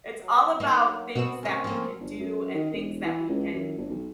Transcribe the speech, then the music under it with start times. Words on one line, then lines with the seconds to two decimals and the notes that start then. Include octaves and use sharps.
it's all about things that we can do and things that we can g
0.21 F#3
0.60 A#3 D#4
1.15 B2 B3 C4 F#4 E7
1.43 D2 C4 C#4 A#4 C#5
1.64 F3 A#3
2.00 G1
2.19 F#2
2.54 D#3
2.73 E1
3.05 E3
3.29 C#2
3.54 F#2
3.77 G1
3.90 B1